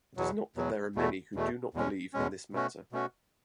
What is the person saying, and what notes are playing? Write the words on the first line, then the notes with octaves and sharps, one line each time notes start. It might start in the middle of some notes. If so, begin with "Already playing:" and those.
It is not that there are many who do not believe in this matter.
E2 B2 F#3
E2 B2 F#3
E2 B2 A3
E2 B2 A3
E2 B2 G#3 C#4
E2 B2 G#3 C#4
B2 A3 C#4 F#4
B2 A3 C#4 F#4